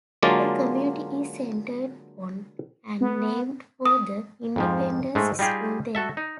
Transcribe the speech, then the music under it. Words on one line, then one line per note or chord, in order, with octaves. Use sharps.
The community is centered on and named for the Independence School there.
D3 F#3 G#3 A#3 F4 D5
B3
D#6
F2 G#2 F3
G#2 G#3 A3
G3 D#4 F4 G4 G#4
F#4 A4 E5
D#4